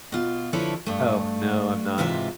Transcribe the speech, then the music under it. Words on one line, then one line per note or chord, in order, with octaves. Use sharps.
Oh, no, I'm not.
B2 F4
D3 F3 E4 A4 B4 C#5
G2 A3
G#2 C3 E3 F4 A#4 E5